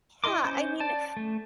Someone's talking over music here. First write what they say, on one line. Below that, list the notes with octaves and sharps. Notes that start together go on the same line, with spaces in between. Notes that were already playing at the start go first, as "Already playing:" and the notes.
Yeah, I mean s
E4 D#5 C6 D6
C#4 C5 G6
D5 A5
A3